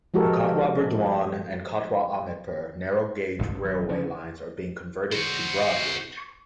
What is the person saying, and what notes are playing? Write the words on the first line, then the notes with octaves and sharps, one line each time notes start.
The Katwa-Burdwan and Katwa-Ahmedpur narrow gauge railway lines are being converted to broad gauge.
F3 G#3 F#4 G4 A4 A#4
A1 G2
D#1 F#3
C#3 F3 C#4 D4
F#4 C5